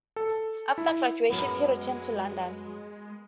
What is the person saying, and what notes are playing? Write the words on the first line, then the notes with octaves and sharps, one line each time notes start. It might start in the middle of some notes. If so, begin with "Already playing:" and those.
After graduation he returned to London.
A4
E4
F#2 F#3 G#3 B3 A#4